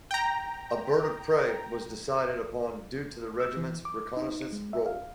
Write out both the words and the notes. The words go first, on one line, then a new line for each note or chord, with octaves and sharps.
A bird-of-prey was decided upon due to the regiment's reconnaissance role.
G5 A#5
E6
E3
D6
D#4
G#3
E5
F5